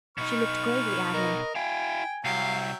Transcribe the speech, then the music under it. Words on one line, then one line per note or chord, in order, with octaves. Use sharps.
She looked gravely at him.
B2 D#4 B4 C#6 F6
A#4 D#5
E4 F5 G5 G#5
C2 F#3 E5 F5 G5